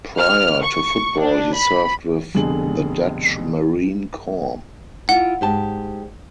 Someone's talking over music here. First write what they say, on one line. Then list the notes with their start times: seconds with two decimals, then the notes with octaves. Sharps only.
Prior to football he served with the Dutch Marine Corps.
0.18 F6
0.63 C#6
1.20 D4
1.55 B5
2.34 F1 F2 B2 D3 G#4 F#7
5.09 E4 F4 F#5
5.41 G#2 G4 A5